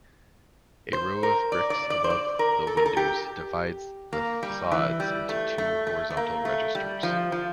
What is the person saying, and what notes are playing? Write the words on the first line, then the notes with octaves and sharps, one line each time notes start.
A row of bricks above the windows divides the facades into two horizontal registers.
C5
A#4
D5
D5
D5
C5
D5
A#4
A4
A#4
A4
G4
A#3
G3
E3
G3
A3
A3
A3
A3
A#3
A3
G3
F3
F3